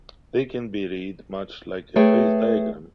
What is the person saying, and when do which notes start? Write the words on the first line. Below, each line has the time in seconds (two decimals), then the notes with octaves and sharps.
They can be read much like a phase diagram.
1.96 A3 G#4 B4 C#5 G5